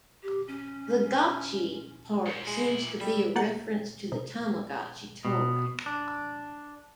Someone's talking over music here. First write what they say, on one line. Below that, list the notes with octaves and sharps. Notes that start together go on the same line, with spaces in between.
The "gotchi" part seems to be a reference to the Tamagotchi toy.
G4
C#4
G#2
B2 G#3 E4
A#2
G3 E5
A#3 A4 F#5 G6 A6 C#7
C3
B2
D4